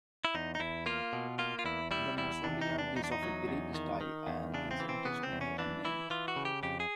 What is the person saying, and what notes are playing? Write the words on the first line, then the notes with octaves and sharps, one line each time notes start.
The mausoleum is of a Greek style and is intentionally unnamed.
E4
E2 D#4
D#4
E2 E4
A#3 F4
B2
A#3 F4
F4
E2 E4
G3 E4
E2 E4
C3 D4
D#4
E2
D4
E2 D#4
D4
D#4
F#3
E2
D#3
D#3
E2
C#3 D4
C4
E3
C4
C#3 B3
C4
E2
C#4
E3 D4
E3 E4
E3 F4
F#4
C#3
G4
F2 G4
G#4